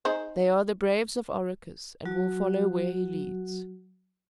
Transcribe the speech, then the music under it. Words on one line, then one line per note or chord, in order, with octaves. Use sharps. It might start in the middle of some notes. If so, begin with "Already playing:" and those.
"They are the braves of Oracus, and will follow where he leads."
D#4 G#4 C5
F#3 F#4